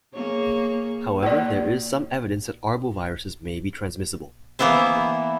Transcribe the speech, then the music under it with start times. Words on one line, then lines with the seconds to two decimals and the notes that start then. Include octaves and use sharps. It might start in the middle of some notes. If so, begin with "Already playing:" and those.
However, there is some evidence that arboviruses may be transmissible.
0.14 A#3 G#4 C#5
1.23 A#3 D5
4.59 E3 A#3 B3 E4 C5